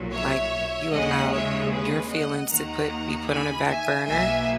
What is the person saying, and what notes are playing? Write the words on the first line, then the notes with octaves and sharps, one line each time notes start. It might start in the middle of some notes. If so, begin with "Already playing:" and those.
like, you allowed your feelings to put be put on a back burner
Already playing: B1 A#2 F#3
C#5 E5
D#2 C#3 G#3 D#5 F#5
C#5 E5
G#4 B4
D#5 F#5
D#2 D#3 A#3 F#5 A#5
G#5 B5
E5 G#5
B1 B2 A#3 E5 G#5